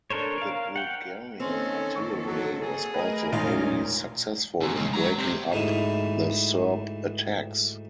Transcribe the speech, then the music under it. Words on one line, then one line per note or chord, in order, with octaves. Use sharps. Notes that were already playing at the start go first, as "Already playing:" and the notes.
The Bulgarian artillery was also very successful in breaking up the Serb attacks.
D4 A4 A#4 C5 C#5
A#4 F5
F#5 G5
D#3 A#3 C4 C#4 A4
C#6
F#3
G#4
A3 A#4 B4 D#5
E1 C#4 D#4 F4 F5
E2 D3
C3 G#3
F#3 A#5
C4 G4
D2 G#2 D#4 E4